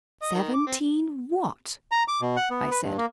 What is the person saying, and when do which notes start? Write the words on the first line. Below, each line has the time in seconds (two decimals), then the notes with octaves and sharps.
"Seventeen what?" I said.
0.22 D#5
0.35 D#3
0.54 D6
0.67 C4
1.91 A#5
2.08 D6
2.21 B2
2.37 F#5
2.50 B3
2.71 B4
2.83 G2
2.98 A#3